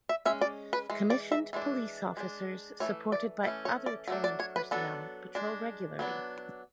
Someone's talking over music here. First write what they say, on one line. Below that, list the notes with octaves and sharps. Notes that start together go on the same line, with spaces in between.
Commissioned police officers supported by other trained personnel patrol regularly.
E5
G#3 C#4 E5
D5
B4
E3 G#3
D5
E5
E3 G#3 D4
G#3 D4
E3 A3 C#5
D5
E3 A3 C#4
C#5
D5
F#3 A3 D4
D5
C#5
B4
F#3 B3 D4 A4
G#3 D4
F#3 B3 D4